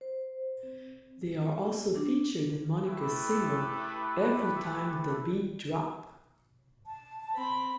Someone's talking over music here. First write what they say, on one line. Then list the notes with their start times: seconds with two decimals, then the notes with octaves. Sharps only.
They are also featured in Monica's single "Everytime tha Beat Drop".
0.01 C5
0.63 C4
1.96 D4
2.87 A3 E4 G4 A4 B4
6.86 A5
7.34 C4 B5